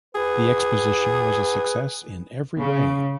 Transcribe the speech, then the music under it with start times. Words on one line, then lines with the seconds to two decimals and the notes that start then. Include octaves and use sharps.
The exposition was a success in every way.
0.15 G#4 B4
2.59 C#3